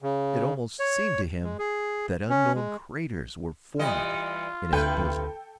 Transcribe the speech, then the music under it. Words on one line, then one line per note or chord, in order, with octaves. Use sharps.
It almost seemed to him that unknown craters were forming in his bosom.
C#3
C#5
G#3
G#4
C#4
G#3
E3 G3 F4 D#5
D2 C3 A4 B4 G5 G6